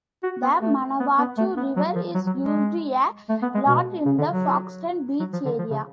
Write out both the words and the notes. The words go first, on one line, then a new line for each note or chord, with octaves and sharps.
The Manawatu River is used a lot in the Foxton Beach Area.
F#4
B3
A3
B3
B3
A3
B3
F#3
F3
F#3
F#3
G#3
A3
B3
G#3
B2
C#3
D3
F#3
F#3
F3
D3
F3
C#3